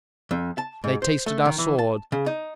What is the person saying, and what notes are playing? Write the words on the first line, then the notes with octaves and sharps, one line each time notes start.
They tasted our swords.
F2
A5
G#2
C5
A3
D#3
E3
A5
C#3
D#4